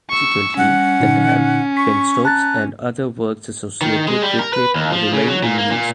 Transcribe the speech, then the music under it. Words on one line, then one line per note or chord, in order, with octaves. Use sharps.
Consequently, the dam, penstocks and other works associated with it remain in use.
C#6 E6
G3 C#4 F#5
A#2 D3 D#4
C#6 B6
A5 A#5 F#6 A6
D#3
G#3
G3
A#4
B4
D#2
F3
C#3
F#3
A#2
A#3
A#2